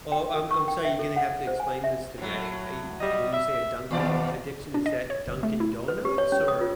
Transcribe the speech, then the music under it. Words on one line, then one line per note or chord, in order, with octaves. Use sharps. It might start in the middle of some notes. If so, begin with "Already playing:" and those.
Oh, I'm I'm sorry, you're gonna have to explain this to me, I I when you say a "Dunkin' addiction," is that Dunkin' Donuts or
G5
A#4
C#6
G5
E5
A4
F#5
C5
G#5
E5
A2 F#3
G3 D#5
E5
D#2 B2 F3 D5
D4
D#5
C#5
G1
A3
E4
B4
G4
C#5
C#4
D#6
F4